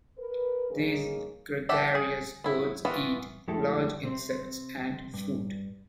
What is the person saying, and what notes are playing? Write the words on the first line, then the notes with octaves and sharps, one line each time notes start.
These gregarious birds eat large insects and fruit.
A#4 B4
A#3 C#4 D#4 G#4
D4 G4 E5 F#5 A5
G#4
B3 E4
E3 B3 F4 F#4
F2 G#3 A3 E4 G4 A4
C3 C4 C5
G2